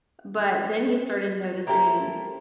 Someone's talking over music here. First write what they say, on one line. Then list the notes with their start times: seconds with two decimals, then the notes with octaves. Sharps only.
But then he started noticing
1.67 A#3 C4 E4 G4 A4